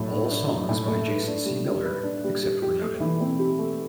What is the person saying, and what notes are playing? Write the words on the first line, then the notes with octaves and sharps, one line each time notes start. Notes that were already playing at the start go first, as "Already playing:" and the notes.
All songs by Jason C. Miller except where noted.
Already playing: A2 F#3
A3
D4
F#3
A2
A3
B4
D4
G3
G4
B4
D4
G3
G4
G4
A3
E3
C4
G4
A3